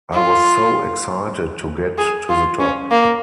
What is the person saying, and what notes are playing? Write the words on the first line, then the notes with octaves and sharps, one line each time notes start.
I was so excited to get to the top ...
F4
G#4
F4
C#4
A#3